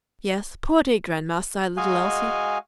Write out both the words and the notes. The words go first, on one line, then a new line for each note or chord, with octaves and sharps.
"Yes, poor dear grandma!" sighed little Elsie.
G#3 F#4 D#5 F5 G#5